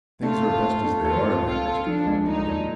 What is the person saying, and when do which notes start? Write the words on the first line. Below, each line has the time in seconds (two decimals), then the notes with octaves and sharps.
"Things are best as they are, then, Mr. Clawbonny."
0.23 A3 F4
0.43 A3
0.64 A3
0.84 A3
1.04 F4 A4
1.24 C4
1.45 C4 F4
1.66 A4
1.86 F3 D4
2.07 G#3
2.27 G#3 D#4
2.47 A#2